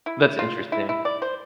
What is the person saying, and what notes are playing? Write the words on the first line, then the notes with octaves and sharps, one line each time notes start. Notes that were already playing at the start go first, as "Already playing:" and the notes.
That's interesting.
E4
F4
E4
E4
D5
C5